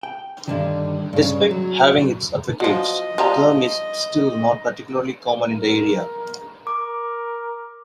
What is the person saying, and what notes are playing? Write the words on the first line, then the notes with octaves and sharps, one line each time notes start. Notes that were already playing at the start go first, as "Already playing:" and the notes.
Despite having its advocates, the term is still not particularly common in the area.
G5
G2 D3 D#3
G2 C#3
F#3
F3 F#3 D#5
F3 G3 A#5
A#4
A#4 D6